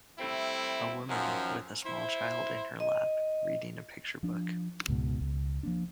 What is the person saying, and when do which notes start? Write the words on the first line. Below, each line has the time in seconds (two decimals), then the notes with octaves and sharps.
A woman with a small child in her lap reading a picture book.
0.18 G3 A3 C4 E4
1.08 F#2 D#3 F3
1.84 E4 C5
2.80 D#5
4.23 F3 D4
4.88 C#2 G#2 B2
5.21 C#2
5.63 F3 A#3 D4